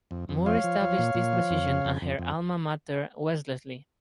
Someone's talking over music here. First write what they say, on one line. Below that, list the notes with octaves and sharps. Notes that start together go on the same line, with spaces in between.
Moore established this position at her alma mater Wellesley.
F2
F2
F3 C#5 F5
F3
F3
A#2
A#2
F3
F2
C#3
F2
F2
F2